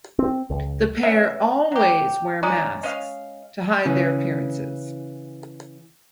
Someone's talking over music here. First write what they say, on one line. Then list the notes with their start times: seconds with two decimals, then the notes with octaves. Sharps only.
The pair always wear masks to hide their appearances.
0.19 C4
0.50 C#2
1.03 B2 C#4 E5
1.72 F#3 G4
2.43 G#3 C#4 D#4 D5
2.83 G#3 C#4 D#5 F5
3.85 C#3 E3 C#4